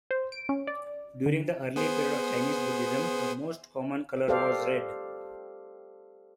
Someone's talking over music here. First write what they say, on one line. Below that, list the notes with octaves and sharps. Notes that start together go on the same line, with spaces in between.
During the early period of Chinese Buddhism, the most common color was red.
C5
D7
C#4
D5
D3
B3 G#4 C5
G4 A4 C5 D5 F5